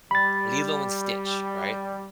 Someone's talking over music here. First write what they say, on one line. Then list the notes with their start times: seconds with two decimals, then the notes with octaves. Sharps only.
Lilo and Stitch, right?
0.11 G3 B5 A6